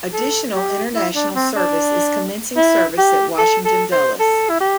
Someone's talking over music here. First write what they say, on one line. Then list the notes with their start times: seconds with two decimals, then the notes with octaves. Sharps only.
Additional international service is commencing service at Washington Dulles.
0.13 A4
0.54 G4
0.95 E4
1.15 D4
1.35 C4
1.56 D4
2.56 E4
2.98 G4
3.38 A4
3.65 A4
3.92 C5
4.20 A4
4.50 E4
4.60 G4